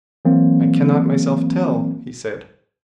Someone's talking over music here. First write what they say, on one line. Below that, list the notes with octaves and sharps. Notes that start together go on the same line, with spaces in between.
I cannot myself tell, he said.
E3 F#3 A#3 C4